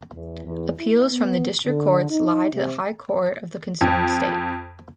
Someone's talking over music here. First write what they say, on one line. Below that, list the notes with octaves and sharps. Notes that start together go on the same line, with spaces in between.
Appeals from the district courts lie to the High Court of the concerned state.
E2
E2
E4
B3
D3
D#4
C3
F2